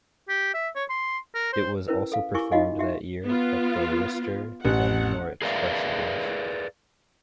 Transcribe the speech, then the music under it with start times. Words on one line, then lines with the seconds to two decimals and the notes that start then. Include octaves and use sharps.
It was also performed that year at the Worcester and Norwich festivals.
0.29 G4
0.54 E5
0.75 C#5
0.89 C6
1.35 A#4
1.53 C5
1.88 C#4 E4 A#4 B4
2.12 A4 F5
2.34 E4 G4 A#4 G#5 C#6 D6
2.52 D#4 F4 F#4 D#5 F5 G#5
2.79 F#4 G4 E5
3.25 B3 F4
4.65 A1 F#5
5.42 G#4 A#4 B4 D5 E5 F5